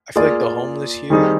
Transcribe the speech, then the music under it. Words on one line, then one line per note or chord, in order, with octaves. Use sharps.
I feel like the homeless here
A#3 F4 G#4 D5
D#3 G3 C4 D#4 G#4